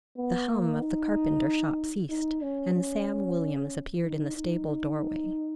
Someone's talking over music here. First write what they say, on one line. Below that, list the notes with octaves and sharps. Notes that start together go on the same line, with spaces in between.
The hum of the carpenter shop ceased, and Sam Williams appeared in the stable doorway.
B3
A#3
D#4
D#4
C#4
C#4
D#4
D#4